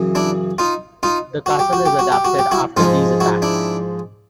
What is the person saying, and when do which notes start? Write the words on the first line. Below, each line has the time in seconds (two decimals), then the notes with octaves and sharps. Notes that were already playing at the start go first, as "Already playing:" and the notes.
The castle is adapted after these attacks.
Already playing: F#2 C#3 E3
0.15 D4 E4
0.58 D#4 F4
1.03 D#4 F4
1.46 F#4
1.59 G4
1.73 F#4
1.86 G4
1.99 F#4
2.12 G4
2.25 F#4
2.39 G4
2.51 E4 F#4
2.77 G#2 F3 G#3 D#4 F4
3.20 E4 F#4
3.42 D4 E4